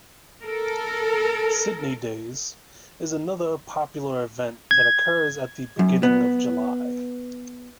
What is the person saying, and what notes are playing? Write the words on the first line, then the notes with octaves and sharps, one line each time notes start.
"Sidney days" is another popular event that occurs at the beginning of July.
A4 A#4
G#6
F#2
B3